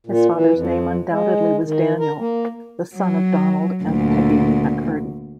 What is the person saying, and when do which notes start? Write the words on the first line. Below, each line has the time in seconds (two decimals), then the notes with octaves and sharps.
His father's name undoubtedly was Daniel, the son of Donald and Peggy Mackirdy.
0.07 A#2
0.34 E3
0.55 F2
1.11 G#3
1.64 D#3
2.00 A#4
2.20 A#3
2.95 F#3
3.83 D2 A#2